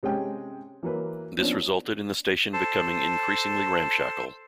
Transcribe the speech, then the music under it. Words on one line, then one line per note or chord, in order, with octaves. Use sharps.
This resulted in the station becoming increasingly ramshackle.
C3 G#3 C#4 G5
E3 F#3 A#3 B4
F3 B3 C#4 D4
A4 C5 A5